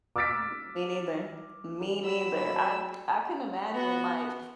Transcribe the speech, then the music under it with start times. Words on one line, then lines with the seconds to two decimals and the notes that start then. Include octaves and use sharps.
M me neither. Me neither, I I couldn't imagine, like,
0.16 D6 E6 F6 A6 B6 D7
2.04 F#3 B5 E6
3.74 B3 F#4